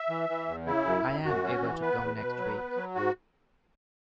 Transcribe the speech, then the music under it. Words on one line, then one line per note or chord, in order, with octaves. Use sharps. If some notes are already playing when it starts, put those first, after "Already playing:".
I am able to come next week.
Already playing: E5
E3
E3
E2
C#3 E4
F#2
F#2
F#2 F#4
C#4
E3
B3 B4
E2
B2
F#3
B3
F#3
G#2 F#4